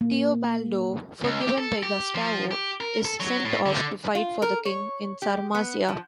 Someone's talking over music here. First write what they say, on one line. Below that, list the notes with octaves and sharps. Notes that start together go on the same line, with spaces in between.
Teobaldo, forgiven by Gustavo, is sent off to fight for the king in Sarmazia.
A#3
C#2
G4
A4
G4
F3
G4
A#4
A4
F#3
A2
D3
F4
A#4
C#5
G4
B3
F3